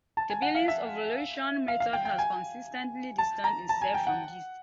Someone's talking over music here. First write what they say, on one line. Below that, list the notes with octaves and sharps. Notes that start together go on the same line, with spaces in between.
The Billings Ovulation Method has consistently distanced itself from these.
A5
G#5
F#5
F5
E5
F5
F5
G5
G5
G#5
A5
A#5
A5
G#5
G5
F#5